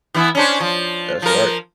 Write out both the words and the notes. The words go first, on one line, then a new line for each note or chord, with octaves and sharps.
That's right.
E3 B3 E4
C#4 D4 C5
F3
F3 A#4